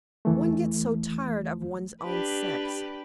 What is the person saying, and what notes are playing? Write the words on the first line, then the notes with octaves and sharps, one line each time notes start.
One gets so tired of one's own sex!
E2 E3 A3
D4 G4 B4